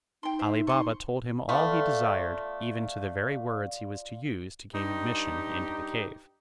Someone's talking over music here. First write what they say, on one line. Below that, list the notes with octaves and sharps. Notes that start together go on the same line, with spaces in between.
Ali Baba told him all he desired, even to the very words he was to use to gain admission into the cave.
D#4 G5 C6
C5 E5
C5 C6 C#6
A3 B3 F4 A4 D5
G2 D#4 G4